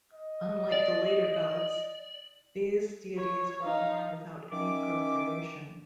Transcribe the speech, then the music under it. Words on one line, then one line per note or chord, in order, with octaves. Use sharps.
Unlike the later gods, these deities were born without any procreation.
D#5
D5
C#5
D#4 F5
D#3 C#4 E5 D6